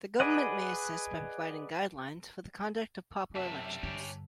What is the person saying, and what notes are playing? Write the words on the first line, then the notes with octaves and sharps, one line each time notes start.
The Government may assist by providing guidelines for the conduct of proper elections.
G#4 B4 D5 D#5 F#5
F#2 C3 G3 E5 A5 E6 B6
G2 D3 C#4 G4